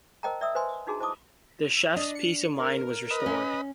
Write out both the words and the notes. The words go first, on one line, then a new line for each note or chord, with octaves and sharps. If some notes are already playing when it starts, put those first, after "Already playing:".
The chef's peace of mind was restored.
A#4 C5 D#5 G5 A5 A#5
D5 E5 G5 D#6 E6
B4 C5 D#5 G#5 C6
D4 D#4 F#4 G#4 A#5
E4 C5 D#5 A5 D6 D#6
D4 D#5
C#7
A#4
B4 D#5
C#4